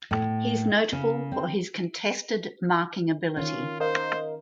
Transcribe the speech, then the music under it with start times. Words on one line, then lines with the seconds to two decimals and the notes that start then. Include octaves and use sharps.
He is notable for his contested marking ability.
0.11 A2
0.92 C#3
1.32 C4
3.37 D#3 C#4 F4
3.80 A#4 C5 D#5 F5